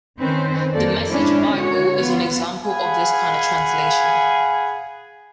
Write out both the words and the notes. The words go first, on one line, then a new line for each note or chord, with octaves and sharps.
The Message Bible is an example of this kind of translation.
D#3 C4 C#4 B4 C5
F2 F3 A#3 A4 D5
G#2 G#3 C#4 D4 E4
D3 F#4 C#5
B3 F4
G#4 F5 F#5 G#5 B5